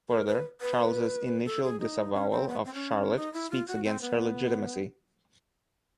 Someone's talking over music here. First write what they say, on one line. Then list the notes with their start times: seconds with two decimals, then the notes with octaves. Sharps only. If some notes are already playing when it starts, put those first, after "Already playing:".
Further, Charles's initial disavowal of Charlotte speaks against her legitimacy.
0.09 A#4
0.27 B4
0.61 B4
1.45 A4
1.63 G#4
1.80 D#4
2.14 C#4
2.31 C4
2.49 B3
2.65 C4
2.74 C#4
3.16 D#4
3.33 E4
3.51 F4
3.67 F#4
3.84 C4
4.01 B3